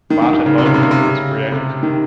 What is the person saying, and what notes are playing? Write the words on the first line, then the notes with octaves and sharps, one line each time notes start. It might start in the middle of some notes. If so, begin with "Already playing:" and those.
MartinLogan was created.
D#3
D#3
D#3
C#3
C3
C#3
C3
C#3
C3
C#3
C3
D#3